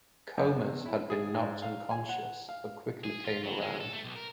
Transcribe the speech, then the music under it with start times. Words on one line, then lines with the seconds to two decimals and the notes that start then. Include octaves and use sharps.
Comas had been knocked unconscious but quickly came around.
0.37 F#2
0.59 E2
0.86 E4
1.10 G#4
1.34 G#2
1.62 F5
1.91 G#5
2.09 F#5
2.49 F5
3.04 G#4
3.25 F4
3.43 F#3
3.60 G#3
3.80 A4
3.93 A3
4.04 B1
4.16 A#4